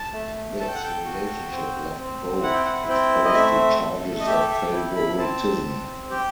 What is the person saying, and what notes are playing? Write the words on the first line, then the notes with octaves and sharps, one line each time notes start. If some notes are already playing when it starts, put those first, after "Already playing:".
This relationship left both exposed to charges of favoritism.
Already playing: A5
A3
A4 A5
G5
F#5
G5
F#4
C4
C4
E4 F#5
G5
F#5
C4 G5
D#5
A3 E5
A4
D#5
G4 E5
E5
E4 G5
B5
C4 A5
C4
G4 G5